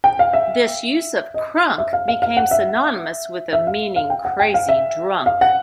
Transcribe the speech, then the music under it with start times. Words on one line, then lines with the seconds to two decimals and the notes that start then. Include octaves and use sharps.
This use of "crunk" became synonymous with the meaning "crazy drunk".
0.04 G5
0.19 F5
0.33 E5
1.34 D#5
1.78 E5
1.93 F5
2.08 F5
2.22 F5
2.37 F#5
2.51 E5
3.53 E5
3.67 F5
3.96 F5
4.10 G5
4.25 F#5
4.40 G5
4.54 F5
4.69 E5
5.26 F5
5.41 F#5